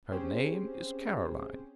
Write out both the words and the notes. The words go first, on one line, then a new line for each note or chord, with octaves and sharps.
'Her name is Caroline.
C4 C#4 G4 G#4 C5